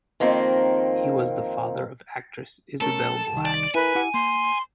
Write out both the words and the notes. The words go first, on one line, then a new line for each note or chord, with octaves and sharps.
He was the father of actress Isobel Black.
F2 D#3 A#3 C4
A3 C#4 A4 A#4 A5
C2 D#3
D5
E4 A#4 B4 G#5
E4 G4 F#5
A#3 C6